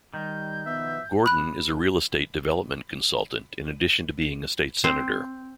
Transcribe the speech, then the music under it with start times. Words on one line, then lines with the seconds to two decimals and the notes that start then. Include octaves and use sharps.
Gordon is a real estate development consultant in addition to being a state senator.
0.14 D#3 G3 G6
0.66 B2 F3 B3 E5
1.26 B5 F#6
4.84 C4